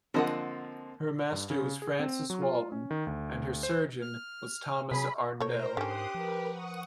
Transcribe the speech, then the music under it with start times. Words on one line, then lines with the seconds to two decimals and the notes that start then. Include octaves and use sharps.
Her master was Francis Walton and her surgeon was Thomas Arndell.
0.14 D3 F3 A#3 C4 D#5 F#5
1.32 G2
1.50 C#3
1.82 G#4
2.00 C4
2.30 F#3
2.42 F4
2.72 C#4
2.91 D#3
3.07 D2
3.63 C5
4.02 F6
4.91 C3 F#3 G#4 G#5 B5
5.40 B2 A3 A#4 C5 C#5 A#5
5.77 G#2 D3 C#4 G4 C6 D#6 F#6
6.15 F3 A#4 B4
6.48 F#5 C#6 D#6